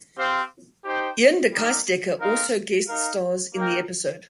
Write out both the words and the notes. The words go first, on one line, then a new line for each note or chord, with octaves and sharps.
Iain De Caestecker also guest stars in the episode.
C4 G4 C5 F5
D#4 G4 C5 G5
G3 D#4 A#4
C4 D#4 A#4 F5
D#4 A#4 F5
A#3 D#4 A#4 G5